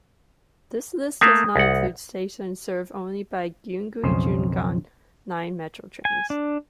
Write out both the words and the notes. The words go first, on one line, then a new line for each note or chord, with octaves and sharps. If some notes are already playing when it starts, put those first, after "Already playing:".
This list does not include stations served only by Gyeongui-Jungang Line metro trains.
A3 A#3 D#6
C2 F#5
B1 F2 C#3 G#4 C5 C#5
G#5
D4